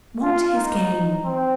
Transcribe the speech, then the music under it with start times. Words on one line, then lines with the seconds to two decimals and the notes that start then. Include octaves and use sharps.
What his game?
0.22 F4
0.56 D#4
1.25 C4